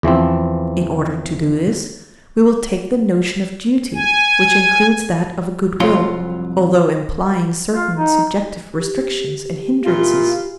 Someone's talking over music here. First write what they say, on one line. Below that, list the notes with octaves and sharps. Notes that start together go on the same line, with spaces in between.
In order to do this, we will take the notion of duty, which includes that of a good will, although implying certain subjective restrictions and hindrances.
E2 E3 F3 C4
G#5
C2 F2 F#3 F4 C6
F4
D#4
G4
A#2 E4 F4